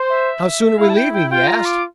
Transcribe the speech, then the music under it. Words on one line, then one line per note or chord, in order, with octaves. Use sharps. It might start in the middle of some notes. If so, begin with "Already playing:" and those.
"How soon are we leaving?" he asked.
Already playing: C5
E5
E4 F5
A5
G5
G5
F4 G5
A#5
D6